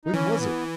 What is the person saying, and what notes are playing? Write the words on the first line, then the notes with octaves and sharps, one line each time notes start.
When was it!
D#4
E3 C#4
B3